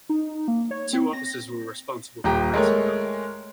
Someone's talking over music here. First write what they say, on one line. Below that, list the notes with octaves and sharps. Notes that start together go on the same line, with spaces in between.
Two officers were responsible for the massacre.
D#4
A#3
C#5
C4
A#6
D#1 G4 A#5
G#3 A3 A#4 C#5